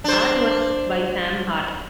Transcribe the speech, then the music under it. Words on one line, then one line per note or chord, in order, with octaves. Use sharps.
Art was by Sam Hart.
D4 C5